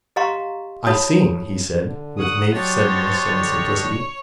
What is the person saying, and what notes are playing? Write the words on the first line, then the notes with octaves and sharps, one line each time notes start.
"I sing," he said, with naif suddenness and simplicity.
G4 D#5 F5 A#5 C6 C#6
E4 F#4 C#5 A5 B5 D#6
D3
C#5 F#5 D#6
F#3 D4 G4 C5 C#5 D#5 A6
D3